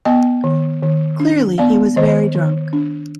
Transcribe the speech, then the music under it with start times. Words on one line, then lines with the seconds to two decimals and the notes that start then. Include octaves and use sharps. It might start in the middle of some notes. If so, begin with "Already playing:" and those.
Clearly he was very drunk.
0.05 B3 D#5 G5
0.44 D#3
0.83 D#3
1.20 D4
1.58 B3 D5 F5
1.96 D#3 C5 D#5
2.35 D#3
2.73 D4